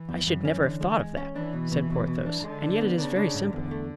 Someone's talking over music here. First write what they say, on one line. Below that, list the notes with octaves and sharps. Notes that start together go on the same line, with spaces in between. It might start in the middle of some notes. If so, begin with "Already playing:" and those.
"I should never have thought of that," said Porthos, "and yet it is very simple."
Already playing: E3
E2
F#2
C#4
D3
G#3
G#3
C#4
E3 D4
B2
B2
B2
B2
D4
D3 G#3
D4
B3
C#3 D4
D4
G#2
E2 D3
A3